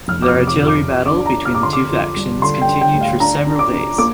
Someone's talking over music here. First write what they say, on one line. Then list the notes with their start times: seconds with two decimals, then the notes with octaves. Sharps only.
The artillery battle between the two factions continued for several days.
0.08 F1 F6
0.22 D6
0.28 F6
0.34 C3
0.47 D6
0.60 F2
0.67 D6
0.86 F4
1.06 D6
1.13 D4
1.26 A#5
1.39 F3
1.45 F6
1.54 D6
1.63 D3 C6
1.73 D6
1.91 F2
2.16 G3
2.42 D3 C6
2.61 G5
2.68 D4
2.81 G5
2.94 D2
3.01 F5
3.20 D4 A#5
3.47 D4
3.59 D6
3.73 D4
3.98 A#3 D6